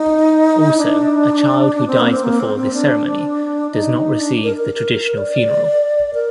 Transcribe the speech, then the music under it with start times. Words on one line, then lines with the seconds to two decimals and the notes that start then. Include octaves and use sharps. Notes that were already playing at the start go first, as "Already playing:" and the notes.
Also, a child who dies before this ceremony does not receive the traditional funeral.
Already playing: D#4
0.77 D4
1.75 D4
1.87 C4
2.00 A#3
2.12 C4
2.24 A#3
2.40 C4
2.56 C4
2.73 D4
3.71 D#4
4.19 D4
4.44 A#4
4.56 A#4
5.18 D5
6.14 A#4